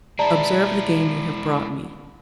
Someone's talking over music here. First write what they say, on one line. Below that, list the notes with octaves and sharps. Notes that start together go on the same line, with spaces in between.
Observe the game you have brought me!
G#3 E4 D5 A5 A#5